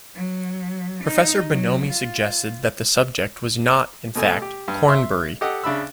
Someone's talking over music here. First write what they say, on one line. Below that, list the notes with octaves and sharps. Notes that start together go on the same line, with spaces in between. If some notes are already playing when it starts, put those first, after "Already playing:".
Professor Bonomi suggested that the subject was not, in fact, Cornbury.
F#3
D#4
F#3
F4
B2 A3 G#5
G4
G2
E5 C6
G4 A4 D#5 F#5
C#3 D4 E5 B5 E6